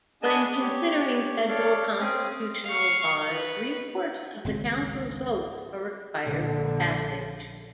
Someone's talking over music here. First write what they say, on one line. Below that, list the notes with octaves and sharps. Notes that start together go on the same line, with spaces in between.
When considering federal constitutional laws, three-fourths of the Council's votes are required for passage.
B3 D4 G#4 D#5 G#5 A5
G4 C#5
A4 C#5 D5 F5
C4 C#4 G#4
F5 C#6
B4
G#1 C#2 D#3 C4
A#1 D3